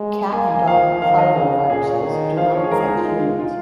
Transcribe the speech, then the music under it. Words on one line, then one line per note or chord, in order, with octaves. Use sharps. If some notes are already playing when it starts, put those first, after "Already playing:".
Cat and dog parvoviruses do not infect humans.
Already playing: G#3
A#3 G#5
G#5
F3 F5
D#3 F5
D#5
C#3 F5
A#2 G#4
C#5
D#3
F3 F5
C#5
G#4
G#3 A#4
G#4
D#4
F4
G#3
F4